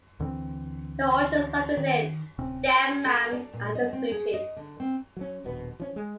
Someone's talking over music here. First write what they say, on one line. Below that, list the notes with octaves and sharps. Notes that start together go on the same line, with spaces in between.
The origins of the name "Dammam" are disputed.
D2 D3 E3 C4
D#3
D1 C3 C4 C#4
A4
D5
A#2
D#5
C4
G#4
D#5
D3
C4
F#3 C#4
D#1 A#1 B2 B3
F3 C#4
G#3